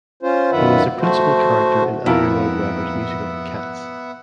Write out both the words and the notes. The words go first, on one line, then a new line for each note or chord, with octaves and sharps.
He is a principal character in Andrew Lloyd Webber's musical "Cats".
C#4 F4 C5
F#2 D#3 F4 B4 E5 F#5
A3 F#4 C5
F2 B3 E4 F4 A#4 E5 F#5